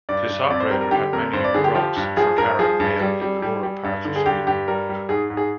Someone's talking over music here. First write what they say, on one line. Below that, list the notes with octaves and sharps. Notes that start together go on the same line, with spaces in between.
This operator had many brucks for carrying mail in rural parts of Sweden.
G2 D5
G2
F2 D5
C5
G3 A#4
A#4
D3 G4
F2 A#4
G2 C5
D5
D3 G#4
G4
F3 G4
G2
F3 G#4
G2 A#4
F3 G#4
G2
G3
G3
G3
G3
G2
D3
G#4
G2 G4
G2 G4
G3 A#4
G3
G#2 G#4
G#2
G#4